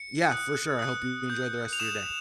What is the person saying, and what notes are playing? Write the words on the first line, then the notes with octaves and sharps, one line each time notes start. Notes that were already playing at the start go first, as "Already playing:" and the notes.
Yeah, for sure. I hope you enjoy the rest of your day.
Already playing: C#7
D#6 F#6
D#6 F#6
D#6 G6
F7
D#6 G6 E7